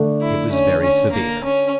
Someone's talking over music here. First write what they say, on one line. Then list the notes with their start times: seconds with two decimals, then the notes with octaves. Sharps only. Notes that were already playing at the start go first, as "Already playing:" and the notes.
It was very severe.
Already playing: D3 A3 D4
0.21 E4
0.52 C#4
0.82 C#4
1.12 A#3
1.44 C#4